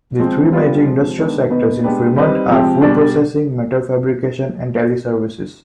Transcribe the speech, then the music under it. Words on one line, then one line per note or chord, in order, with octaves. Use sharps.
The three major industrial sectors in Fremont are food processing, metal fabrication, and teleservices.
F3 G#3 C4
G3 B3 F4 B4 D5
C3 F3 G#3
D#3 G#3 B3 D4
B2 B3 D#4 B4
G#3 B3 D4 G4 B4
G3 C4 D#4 B4
C3 F3 G#3 C4 G4
B2 G3 D4 G#4 D5